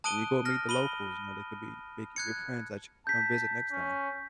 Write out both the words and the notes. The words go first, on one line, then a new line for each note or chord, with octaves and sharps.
And you go meet the locals, you know? They could be make your friends that you come visit next time.
A5 D#6 F#6 D7 D#7 G7
F6 A#6
B5 D#7 G7
F#6 G#6 C#7
A5 G6 B6
C#4